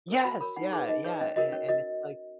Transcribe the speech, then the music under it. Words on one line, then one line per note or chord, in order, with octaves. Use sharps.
Yes! Yeah, yeah and and it's like
A#4 C#5
F#4 B5
A#4 C#5 B5
D#4 F#5
G#4 B4
D#4 D#5
G#4 B4 C#5
C#4 D#5
F#4 A#4 C#5 D#5
C#4 C#5
F#4 A#4 C#5 D#5